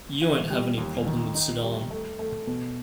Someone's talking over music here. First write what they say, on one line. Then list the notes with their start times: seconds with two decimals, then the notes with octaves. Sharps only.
You won't have any problem with Saddam.
0.22 E3
0.50 G3
0.78 D#2
1.07 D#3
1.35 D#4
1.62 G3
1.91 A3
2.19 A3
2.47 B2